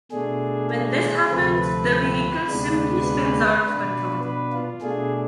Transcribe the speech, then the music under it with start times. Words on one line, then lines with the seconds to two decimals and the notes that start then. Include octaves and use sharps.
When this happens, the vehicle simply spins out of control.
0.12 B2 A3 D4 G#4
0.70 G#4
1.29 D2 C3 F3 A3 C4 B4
1.58 B4
2.47 D2 C3 G#3 B3 D4
3.06 B4
3.65 B2 B3 D4
4.24 B4
4.53 F4
4.81 B2 A3 D4 G#4